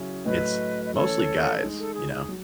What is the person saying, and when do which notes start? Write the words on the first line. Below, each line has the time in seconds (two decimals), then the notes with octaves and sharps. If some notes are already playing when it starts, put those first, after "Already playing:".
it's mostly guys, you know,
Already playing: C#3 F#3 C#4 E4 G#4
0.26 A2 F#3 A3 B4 D#5
0.85 D#5
0.94 E3 A3 C#4 A4 C#5
1.62 G#3 D#4 G#4
1.79 A4
1.94 G#4
2.12 G#4
2.29 F#3